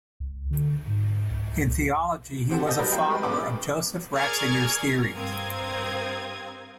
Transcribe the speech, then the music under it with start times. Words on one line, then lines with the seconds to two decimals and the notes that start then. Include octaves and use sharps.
In theology he was a follower of Joseph Ratzinger's theories.
0.20 C#2
0.51 D3
0.87 G#2
1.31 C#2
2.50 C3 C4 F#4 G4 A4
2.67 D5 D#5 A5 D#6 G6
2.79 F#3 G3 D#4 A#4 B4
2.92 F3 F#4 F5 G5 B5
3.08 G3 G#3 A#4 B4
3.23 A#1 F#2 B3 G5 C#6 D6
4.14 G#4 A#4 D5 C#6 F6 G#6
5.14 G2 C4 A#4 F5 D#6 G#6